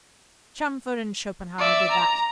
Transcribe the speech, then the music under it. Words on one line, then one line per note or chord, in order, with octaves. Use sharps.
Chamfort and Schopenhauer did that.
D5 E5
A#5